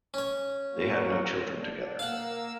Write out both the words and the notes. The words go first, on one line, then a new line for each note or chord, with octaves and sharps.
They had no children together.
C#4 C#5
F#3 A#3 F#4
D4
A#3 F5 F#5 E6